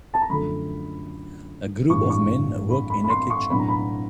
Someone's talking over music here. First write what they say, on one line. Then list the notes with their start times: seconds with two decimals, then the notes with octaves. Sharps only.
A group of men work in a kitchen.
0.14 A5
0.22 A#5
0.29 F#2 D3 F3 A3 B5
1.90 A1 G2 E3 C#6
2.10 C#6
2.70 B5
2.90 B5
3.04 B5
3.10 C6
3.30 C#6
3.50 B1 A2 F#3 B3 D4 B5
3.59 A#5
3.68 B5